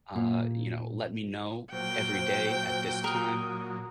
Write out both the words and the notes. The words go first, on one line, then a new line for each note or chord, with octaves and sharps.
uh, you know, let me know every day at this time
A#2
A#2 F#3 C5 G5
A#4 D#6